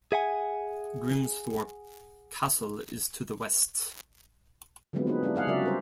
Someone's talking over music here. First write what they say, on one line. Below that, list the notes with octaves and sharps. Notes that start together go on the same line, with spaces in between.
Grimsthorpe Castle is to the west.
G#4 E5 F#5 G#5
D3 F3 F#3 G#3 B3 C4
A#3 B3 D#4 G#4 B4
G#3 D4 E4 F4 G4
C#4 G#4 F5 F#5
C#3 F#3 F#4 A#4 D5 E5
G3 A#4 C5